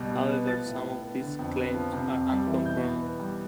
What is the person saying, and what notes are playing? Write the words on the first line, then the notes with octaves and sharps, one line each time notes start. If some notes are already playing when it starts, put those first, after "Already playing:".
However, some of these claims are unconfirmed.
Already playing: B2 G3
B2
B3
F3 A6
A2
A2
B3
D3
F2
B3
F3
C3
F2
G3
E3
B2 G6
E2
B3
G3